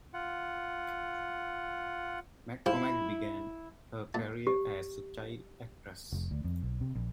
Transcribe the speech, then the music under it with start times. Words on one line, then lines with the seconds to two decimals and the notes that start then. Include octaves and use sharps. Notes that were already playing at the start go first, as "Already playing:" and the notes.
McCormack began her career as a child actress.
0.14 F4 F#5
2.66 E4 F4 G4 C5
4.14 A#2 A5
4.47 G4
6.12 F1
6.31 D2
6.44 F2
6.63 B1
6.81 C3
6.95 A#1